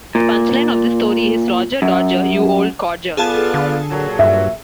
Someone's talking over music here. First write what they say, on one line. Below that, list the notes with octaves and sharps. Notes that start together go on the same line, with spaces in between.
The punch line of this story is, Roger Dodger, you old codger!
A#2
F#2
B3 F4 G#4 A4 D5 A5
D3
A#2 F#3
G2 E5